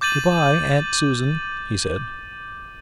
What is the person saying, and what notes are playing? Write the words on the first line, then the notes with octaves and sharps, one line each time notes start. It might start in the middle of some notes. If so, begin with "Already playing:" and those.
"Good-bye, Aunt Susan," he said.
D6 G6 A6 D#7 F#7